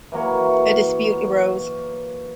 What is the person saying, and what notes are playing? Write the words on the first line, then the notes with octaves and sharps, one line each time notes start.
A dispute arose.
E3 F#3 A#3 C#5